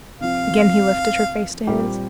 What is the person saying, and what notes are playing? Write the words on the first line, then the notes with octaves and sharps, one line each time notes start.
Again he lifted her face to his.
C3 F3 C4 F4 F5
A#2 G3 C4 G4 A#4